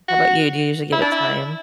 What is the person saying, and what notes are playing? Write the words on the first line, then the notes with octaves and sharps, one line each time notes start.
How 'bout you? Do you usually give it time?
F#4
E4
D4
E4